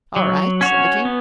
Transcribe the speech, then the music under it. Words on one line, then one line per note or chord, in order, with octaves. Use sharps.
"All right," said the King.
F#3
C#4 F#4 C#5
B3